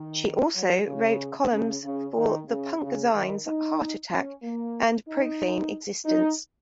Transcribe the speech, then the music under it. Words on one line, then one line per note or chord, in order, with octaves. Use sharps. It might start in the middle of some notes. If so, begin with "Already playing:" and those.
She also wrote columns for the punk zines Heartattack and Profane Existence.
Already playing: D#3
F#3
C#3
C#3
C#3
D#3
C#3
C#3
D#3
D#4
C#4
A#3
D#4
D#4